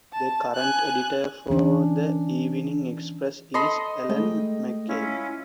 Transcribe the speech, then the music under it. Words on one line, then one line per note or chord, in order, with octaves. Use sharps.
The current editor for the Evening Express is Alan McCabe.
A5
G#5 F#6
E3 C#4 D4
A4 D#5 B5 C6
G#3 A3 G5
C#4 E4 F4